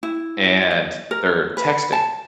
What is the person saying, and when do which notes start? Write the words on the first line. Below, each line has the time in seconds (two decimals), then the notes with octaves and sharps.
and they're texting
0.03 E4
0.71 D#5
1.11 A#4
1.57 B4
1.93 A5